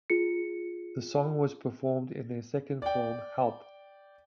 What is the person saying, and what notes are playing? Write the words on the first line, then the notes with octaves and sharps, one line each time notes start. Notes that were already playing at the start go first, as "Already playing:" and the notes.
The song was performed in their second film, Help!
F4 G#4 C#7
D5 G5